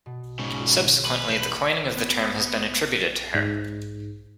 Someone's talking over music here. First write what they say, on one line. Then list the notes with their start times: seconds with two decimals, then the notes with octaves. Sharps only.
Subsequently, the coining of the term has been attributed to her.
0.06 B2
0.39 G#2 C#3
0.59 F4 G#4 E7
0.86 D#3
1.06 A3 B4 G#5
1.28 E1 G6
1.96 B3
3.35 G#2